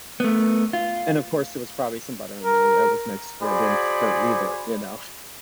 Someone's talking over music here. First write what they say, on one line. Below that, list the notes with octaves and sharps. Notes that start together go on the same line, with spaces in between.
And, of course, there was probably some butter in there that was mixed that didn't hurt either, you know.
A3 B3
F4
A#4
F#4 G#4 C5 D5 G#5 B5